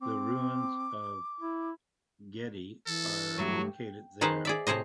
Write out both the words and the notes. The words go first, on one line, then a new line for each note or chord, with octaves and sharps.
The Ruins of Gedi are located there.
C4 D6
E4
E3 A4
G2 F#3 A3 F#4 G4
D#3 D#4 G#4 B4 C5
G#4 D5 E5
A2 C3 G#4 C5 D#5